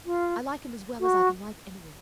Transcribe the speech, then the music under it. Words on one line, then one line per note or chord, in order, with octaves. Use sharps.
I like him as well as I can like any one.
F4
F#4